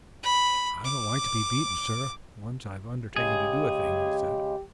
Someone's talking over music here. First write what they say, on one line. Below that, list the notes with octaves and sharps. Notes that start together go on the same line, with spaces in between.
"I don't like to be beaten, sir, once I've undertaken to do a thing," he said.
B5
D6
C#3 G#3 G4 G#4